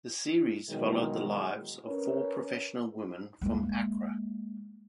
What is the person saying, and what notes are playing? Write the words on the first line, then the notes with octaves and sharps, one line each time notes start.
The series followed the lives of four professional women from Accra.
B2 D#3 E3 F#3 G#3 D#4
C#4 A#4 B4 C#5
G#3 A#3